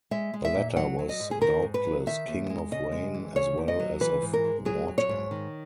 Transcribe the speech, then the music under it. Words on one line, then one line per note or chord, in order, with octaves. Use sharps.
The latter was doubtless king of rain as well as of water.
G#3 E5
G#3
E5
A#2
F#3 F#5
F#3
D#5
G#2
G#4
D#3 A#4
G#2
B4
F#3
D#3 E5
D#2
G#3
C#3 D#5
G#3
E3
C#3 C#5
D#2
D#5
F#3
E3 B4
G#2
A#4
G#3
F#3 G#4
F#3
C#5
G#2
D#3